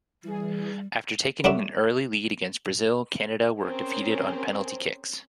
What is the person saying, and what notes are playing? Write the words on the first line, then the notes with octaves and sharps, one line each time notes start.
After taking an early lead against Brazil, Canada were defeated on penalty kicks.
E3 G3 G#4
F#3 G3 D4 F#4 A4 E5
C4 C#4 G#4 A#4 C5